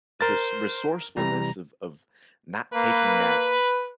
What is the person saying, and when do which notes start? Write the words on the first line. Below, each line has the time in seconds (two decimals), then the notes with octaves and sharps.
the s resourcefulness of of not taking that,
0.21 A#4 C5 A6
1.17 C3 E3 G3 A#5
2.74 A#3 B4